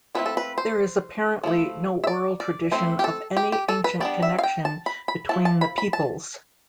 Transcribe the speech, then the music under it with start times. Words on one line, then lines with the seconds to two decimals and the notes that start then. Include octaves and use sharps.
There is apparently no oral tradition of any ancient connection between the peoples.
0.15 F3 A3 C4 E4 B4
0.26 A4
0.37 B4
0.58 C5
1.44 F3 A3 E4
2.04 E5
2.07 D5
2.40 D5
2.72 A3 C4 E4 C5
2.99 G4
3.04 A4
3.37 G4
3.52 G4
3.69 A4
3.84 B4
4.00 G3 B3 D4 D5
4.22 E5
4.39 F5
4.43 G5
4.65 A5
4.86 B5
5.08 B5
5.29 F3 C4 E4 A5
5.45 A5
5.61 B5
5.78 B5
5.93 A5